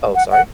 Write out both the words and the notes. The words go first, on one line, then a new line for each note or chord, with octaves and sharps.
Oh, sorry?
F#5
F#5